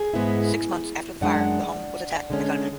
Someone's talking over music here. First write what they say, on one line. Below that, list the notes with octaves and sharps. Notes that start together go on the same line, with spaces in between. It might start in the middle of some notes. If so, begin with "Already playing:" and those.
Six months after the fire the home was attacked by gunmen.
Already playing: G#4
G#2 G#3 B3 E4
F#2 E3 G#3 D4 D5 F#5
D3 G#3 C#4